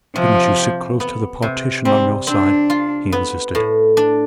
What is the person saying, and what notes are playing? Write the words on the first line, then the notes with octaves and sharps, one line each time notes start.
"Didn't you sit close to the partition on your side?" he insisted.
C3 F3
G4
B3
C3
G3 C4
C4 D4
F4
B3
A2
D4